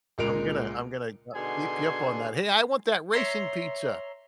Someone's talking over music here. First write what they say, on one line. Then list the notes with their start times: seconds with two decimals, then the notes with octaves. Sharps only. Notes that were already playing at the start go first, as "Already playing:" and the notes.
I'm gonna I'm gonna ha keep you up on that. "Hey, I want that racing pizza!"
0.18 C#2 A#2 G#3 A#4 D7 F7
1.34 B2 D3 D#4 G#4 G#5 C6
3.13 C#5 E5 A#5 C6